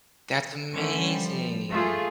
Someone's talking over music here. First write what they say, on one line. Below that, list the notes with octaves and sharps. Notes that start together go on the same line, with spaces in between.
That's amazing.
D3 E3 A3 C#4
F3 G3
A3 F4 G#4